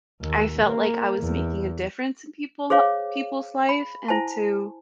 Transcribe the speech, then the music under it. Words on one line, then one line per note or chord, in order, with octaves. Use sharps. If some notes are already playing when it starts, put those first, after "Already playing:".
I felt like I was making a difference in people people's life, and to
D#2
A#3
E2
G#4 C5 C#5 F5 D6
B5
E4 C5 G#5 A5